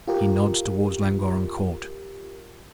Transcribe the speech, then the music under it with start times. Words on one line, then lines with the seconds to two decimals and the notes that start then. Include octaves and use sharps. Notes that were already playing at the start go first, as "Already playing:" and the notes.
He nods towards Llangorren Court.
0.08 F4 G4 A#4